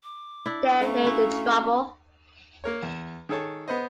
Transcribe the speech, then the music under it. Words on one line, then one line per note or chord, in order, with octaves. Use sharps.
There lay the trouble.
D6
D4 E4
A3 C#4 F5 A#5 C#6
E4 F#4
A#3 A#4 C#5
E2
D#3 G#4 A4 C#5 A5
B3 B4 C5 D#5